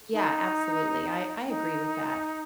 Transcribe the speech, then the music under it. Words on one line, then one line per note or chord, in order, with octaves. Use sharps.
Yeah, absolutely. I I agree with that.
D#4
D#4